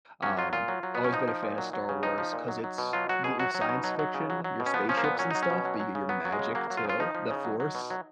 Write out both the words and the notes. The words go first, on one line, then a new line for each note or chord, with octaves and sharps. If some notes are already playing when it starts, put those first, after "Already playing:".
Um, always been a fan of Star Wars 'cause it's you get your science fiction, your spaceships and stuff, but you get your magic too, The Force.
F#3 C#4
F#3 F4
A#2 F4
F#3
F#3
B2 B3
C#4
F3 D#4
F3
A#2
F#3
F#3
C#3
F3 D#4
F3
A#2
F#3
F#3
B2
F#3 F4
F#3 F#4
B2 G#4
F#3 F#4
F#3
D#4
B2
F#3
F#3
C#3
F#3
F#3
B2
C#4
F3 B3
F3 C#4
A#3
A#2 B3
F#3 C#4
F#3 D#4
C#4
B2
F#3
F#3
C#3
F#3 B3
F#3
G#3
C#3
F#3 A#3
F#3
F4
C#3
F4
F3 D#4
F3
C#3
F#3
F#3
B2
F#3